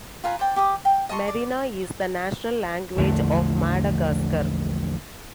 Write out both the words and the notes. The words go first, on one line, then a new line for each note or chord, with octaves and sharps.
Merina is the national language of Madagascar.
F4 A#4 B4 G#5
C5 D5 G5
G4 D6 D#6
G5
D#5 A5 C6 C#6
D5
A#1 E2 D3 A3